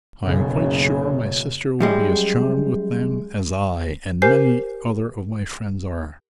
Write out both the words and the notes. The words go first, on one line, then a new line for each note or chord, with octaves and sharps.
"I am quite sure my sister will be as charmed with them as I and many other of my friends are."
F#1 B1 F#2 C#3 F#3
F#2 G3 G#3
G4 A#4 C5 G#5 G6 C7